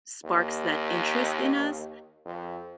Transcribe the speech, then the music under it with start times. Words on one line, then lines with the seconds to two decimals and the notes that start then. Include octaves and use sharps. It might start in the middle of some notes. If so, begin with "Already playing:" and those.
sparks that interest in us,
0.25 D#2
2.25 F2